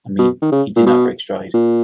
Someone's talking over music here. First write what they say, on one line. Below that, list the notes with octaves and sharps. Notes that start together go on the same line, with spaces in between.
I mean, he did not break stride.
B2
D#3
C#3
A#2
B2
A#2